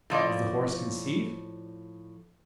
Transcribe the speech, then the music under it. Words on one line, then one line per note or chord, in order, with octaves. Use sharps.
Has the horse conceived?
A2 F3 D5 D#5